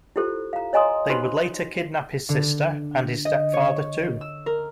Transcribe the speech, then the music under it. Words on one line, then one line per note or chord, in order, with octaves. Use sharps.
They would later kidnap his sister and his stepfather too.
E4 F4 G4 A4 C5
F5 A#5
C#5 D#5 G#5 A#5 C6 D#6
D#4 F#4 B4 C5 B5 C6
D3
D#5
C#5
E6
A#4